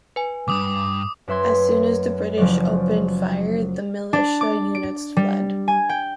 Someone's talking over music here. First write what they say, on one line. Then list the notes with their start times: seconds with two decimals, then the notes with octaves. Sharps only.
As soon as the British opened fire the militia units fled.
0.16 B4 G#5
0.48 C#2 G2 D6 D#6
1.28 F#2 B4 E5 C6 G#6
2.37 F#1 F3 F#3 D5
4.13 D4
4.41 D6
4.75 D7
5.17 G3
5.68 G#5
5.89 G5